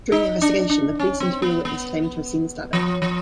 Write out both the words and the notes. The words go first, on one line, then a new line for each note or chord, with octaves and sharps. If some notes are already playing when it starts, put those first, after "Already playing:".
During the investigation, the police interview a witness claiming to have seen the stabbing.
D#4
D4
D4
C#4
C4
B3
B3
F3
F3